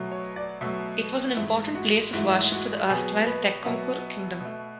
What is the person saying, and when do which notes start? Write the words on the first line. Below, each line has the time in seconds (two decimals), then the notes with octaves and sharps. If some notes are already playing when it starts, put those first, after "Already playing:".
It was an important place of worship for the erstwhile Thekkumkur Kingdom.
Already playing: B2 F#3 A3
0.12 C#5
0.36 D5
0.61 B2 F#3 A3 E5
1.37 G#2 E3 A3 E4
1.75 F#4
2.13 G#2 E3 A3 F#4
2.52 F#4
2.89 B2 F#3 B3 G#4
3.26 B4
3.64 B2 F#3 B3 E5
4.40 B2 A3